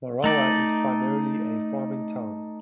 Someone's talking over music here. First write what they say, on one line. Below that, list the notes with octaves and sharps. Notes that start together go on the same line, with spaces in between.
Morawa is primarily a farming town.
A3 D#4 D5